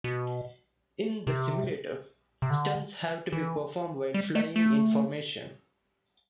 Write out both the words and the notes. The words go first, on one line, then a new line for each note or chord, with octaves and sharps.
In the simulator, stunts have to be performed while flying in formation.
B2
C3
C3
D3
E3
G3
A3
A3